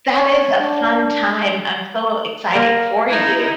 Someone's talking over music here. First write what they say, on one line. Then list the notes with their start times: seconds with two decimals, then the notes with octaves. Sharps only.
That is a fun time. I'm so excited for you.
0.13 C#5
0.60 D4
2.55 A#3
3.09 D#4 E4